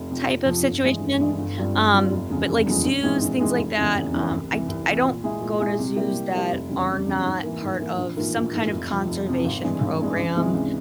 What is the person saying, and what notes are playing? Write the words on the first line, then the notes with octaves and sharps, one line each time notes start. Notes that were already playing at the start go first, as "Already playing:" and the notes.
Type of situation, um, but like zoos, things like that, um, I d I don't go to zoos that are not part of some kind of conservation program.
Already playing: F1
F2 C3 F3 C4
F1
F2 C3 F3 C4
G1
G2 E3 G#3
G1
G2 E3 G#3
G1
G2 G3 C4 F4
G1
G2 G3 C4 F4
F1
E2 C#3 F3 G#3
F1
E2 C#3 F3 G#3
A#1
G#2 E3 G#3 C4
A#1
G#2 E3 G#3 C4
F1
E2 C#3 E3
F1
E2 C#3 E3
C2
C3 E3
C2
C3 E3
A#2
G#3 E4 G#4
A#2
G#3 E4 G#4
C3
G3 A#3 E4 G4
C3
G3 A#3 E4 G4
F1
E2 C#3 G3
F1
E2 C#3 G3
G#2
E3 A#3
G#2
E3 A#3
A#1
G#2 E3 A#3 F4
A#1
G#2 E3 A#3 F4
F1
F2 C3 F3
F1
F2 C3 F3
G#1
G2 E3 G#3
G#1
G2 E3 G#3
C#2
C3 E3 G#3
C#2